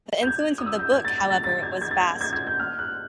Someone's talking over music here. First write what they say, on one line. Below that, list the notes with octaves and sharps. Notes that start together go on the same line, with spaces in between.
The influence of the book, however, was vast.
G6
G#6
D#6
E6
G6
G#6
A6
A6
A6
A6
G#6
G#6
A6
G#6
G#6
G#6
G6
F6
F#6